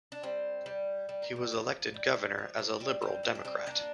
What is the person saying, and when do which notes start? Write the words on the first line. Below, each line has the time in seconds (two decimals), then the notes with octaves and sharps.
He was elected governor as a liberal Democrat.
0.12 D4
0.23 G3 C4
0.66 G3
1.09 G3
1.22 A#3
1.36 G3
1.52 F3 A#3
1.94 G3
2.16 G3
2.38 F3
2.59 F3 A#3
2.80 G3 C4
3.02 G3 C4
3.23 G3 C4
3.35 D4
3.45 G3 C4
3.67 A#3 D4